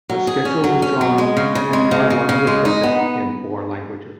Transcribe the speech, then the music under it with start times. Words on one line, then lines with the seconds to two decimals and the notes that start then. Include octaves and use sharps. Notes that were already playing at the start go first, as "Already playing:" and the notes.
A schedule was drawn up, and guidelines were printed in four languages.
0.10 F#3
0.27 G#4
0.45 C#4
0.64 F#3
0.82 C#4
1.01 F#3
1.18 G#3
1.37 C#3
1.55 C#3
1.73 G#3
1.91 C#3
2.10 C#3
2.29 C#3
2.47 G#3
2.65 D#4
2.83 B3